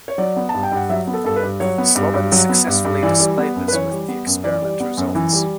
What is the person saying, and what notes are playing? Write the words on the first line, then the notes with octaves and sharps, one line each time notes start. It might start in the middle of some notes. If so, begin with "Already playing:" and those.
Slobin successfully displayed this with the experiment results.
C#5
F#3 D5
B3
A5
G2
G5
G2 F#5
F#3 E5
B3
A4
G2 A4
B4
G2
F#3 C#5
B3
G2
G2
F#3
B3
G2
G2
E3 D5
G3
B3
F#2
B4
E3 C#5
G3
B3
F#2
E3 D5
G3
B3
F#2
E3
G3